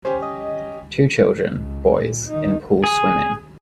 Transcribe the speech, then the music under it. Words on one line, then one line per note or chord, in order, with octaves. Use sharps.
Two children, boys, in pool swimming.
C#4 G4 C5 G#5
D#5
C#2
A#2
D#3 D#4
G#4